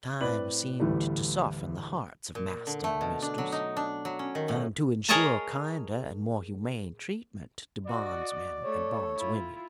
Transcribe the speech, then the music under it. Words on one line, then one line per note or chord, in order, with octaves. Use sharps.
Time seemed to soften the hearts of master and mistress, and to insure kinder and more humane treatment to bondsmen and bondswomen.
A2 C4 B4 D5 F#7
A1 D2 E3 G3 A3
A#2
D3
A3
B2
D4
F#3
D#4
D4
F#3
C#4
D#3
A2
G#4 A#4 C#5 D#5 A5 A#5
F#4 D5 D#5
A3 A4 C#5
E4 F4